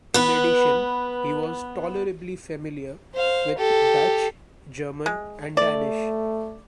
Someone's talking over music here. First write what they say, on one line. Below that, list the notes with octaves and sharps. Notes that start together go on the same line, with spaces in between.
In addition, he was 'tolerably familiar' with Dutch, German and Danish.
B3 B4
C5 F5
G4 A4
G#3
A3 D5